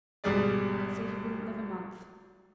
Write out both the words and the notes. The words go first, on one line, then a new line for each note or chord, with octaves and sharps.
I could see he wouldn't live a month.
G#1 B2 G3 G#4 D5